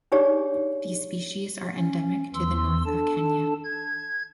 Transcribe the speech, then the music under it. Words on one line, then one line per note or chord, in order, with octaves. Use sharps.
These species are endemic to the north of Kenya.
D4 D#4 G4 G#4 C#5 D5
C#4
E2 E3 C6 E6
D4 A4 A5
G#6